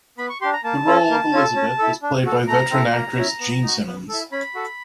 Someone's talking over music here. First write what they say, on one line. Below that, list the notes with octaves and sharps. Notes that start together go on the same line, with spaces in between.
The role of Elizabeth was played by veteran actress Jean Simmons.
B3 B5
C#6
D4 G4 C6
A#5
A#3 A5
C#4 F4 A4
A#3
C#4 F4 A4
C#4
E4 A4
D4
F#4 A4
A3 A#5
C4 E4 A4
A#3
C#4 E4
B3
D#4 F#4
B3
E4 A4
C#4 B5
F#4 A4